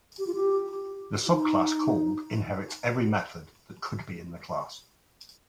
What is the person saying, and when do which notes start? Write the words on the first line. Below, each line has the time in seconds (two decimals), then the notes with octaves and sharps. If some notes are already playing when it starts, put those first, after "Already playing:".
The subclass called inherits every method that could be in the class.
0.19 G4
0.27 F4
0.35 G4
1.26 F4
1.30 D#4